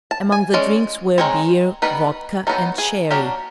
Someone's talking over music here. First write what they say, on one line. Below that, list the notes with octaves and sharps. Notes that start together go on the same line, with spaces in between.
Among the drinks were beer, vodka and sherry.
A5
G#5
G#3 C#4 D5
D#3 G#3 C4 C#5
D#3 G3 B3 D#4 B4
D#3 F#3 B3 D#4 A4
G#4
F#3 A#3 D4 G4